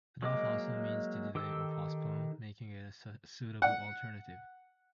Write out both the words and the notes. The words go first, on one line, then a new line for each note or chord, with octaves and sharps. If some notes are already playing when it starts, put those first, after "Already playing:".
"Put off" also means to delay or postpone, making it a suitable alternative.
F#3 G#3 A#3 D#5 D6
D#3 G4 A4 E6
F#5